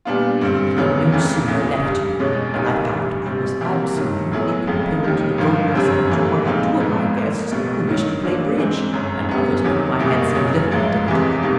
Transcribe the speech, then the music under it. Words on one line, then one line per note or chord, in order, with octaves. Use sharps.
He had no sooner left me than I found I was absolutely compelled to devote myself to one or two of my guests who wished to play bridge, and others of whom I had seen little at dinner time.
A#2 G3 B3 D4 F4
G2 D3 G3 C4
F1 E2 C#3 F#3 B3
F1 F2 C#3 E3
E2 C#3 E3
G2 D3 G3
E2 B2 G#3 C#4
B1 A#2 G3 A#3 D#4
A1 G2 E3 G3
B2 G3 C4
C3 E3 G3 A#3
G1 G2 D#3
A2 F#3 B3 E4 G#4
F1 F2 C#3 F3 G#3
D#2 D#3 G3
G#1 G2 D3 F3
G1 F#2 D3 G3 C4
A2 E3 G3 A#3
A#2 F3 G#3 C4 D#4
G#1 G#2 F3 G#3 B3
A2 F3 A#3
B1 B2 G3 B3
G2 D#3 F#3
D2 D3 F#3 A#3 D4
G#2 E3 G#3 C4
G1 F#2 C#3
F#2 D3 G3 B3
E2 C3 D#3 F#3
F#1 E2 B2 G3 A#3
F#1 F#2 C#3 F#3
A1 G#2 F3 G#3
E2 C3 E3 G#3
B2 G3 A#3 D#4